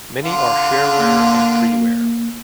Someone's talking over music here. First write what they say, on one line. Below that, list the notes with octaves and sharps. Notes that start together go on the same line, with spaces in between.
Many are shareware and freeware.
D3 F4
A#3